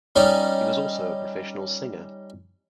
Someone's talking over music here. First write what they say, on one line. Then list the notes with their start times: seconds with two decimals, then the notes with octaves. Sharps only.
He was also a professional singer.
0.16 G3 C#4 D#4 D5